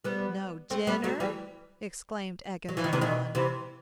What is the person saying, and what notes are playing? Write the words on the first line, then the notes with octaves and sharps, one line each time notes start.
"No dinner!" exclaimed Agamemnon.
G3 B3
A3 C4
G3 B3
F#3 A3
E3 G3
F#3
E3
D#3
C3 E3
B2 D#3
C3 E3